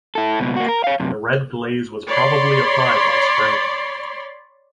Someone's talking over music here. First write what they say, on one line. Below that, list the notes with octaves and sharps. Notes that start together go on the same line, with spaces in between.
The red glaze was probably applied by spraying.
E4 A4
C#2 B2
A#3 F#4
A#4
C#5 F5
F#2 C3
C#5 D5 B5 C6